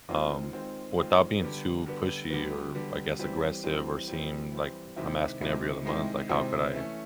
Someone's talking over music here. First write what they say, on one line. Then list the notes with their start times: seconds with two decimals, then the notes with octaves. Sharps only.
Um, without being too pushy or, I guess, aggressive or seem, like, I'm asking every other month, like, how could I
0.09 D#3 G#3 C4 F4
0.53 D#3 G#3 C4 F4
0.97 D#3 G#3 C4 F4
1.41 D3 G3 B3
1.86 D3 G3 B3
2.30 D3 G3 B3
2.75 D3 G3 B3
3.19 E3 G3 C4
3.64 E3 G3 C4
4.08 E3 G3 C4
4.52 E3 G3 C4
4.96 C3 D#3 G#3 C4 E4
5.41 C3 D#3 G#3 C4 E4
5.85 C3 D#3 G#3 C4 E4
6.29 C3 D#3 G#3 C4 E4
6.74 E3 A3 C#4